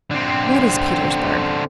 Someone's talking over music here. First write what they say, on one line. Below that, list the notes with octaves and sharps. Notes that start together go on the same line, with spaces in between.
What is Petersburg?
D3 C4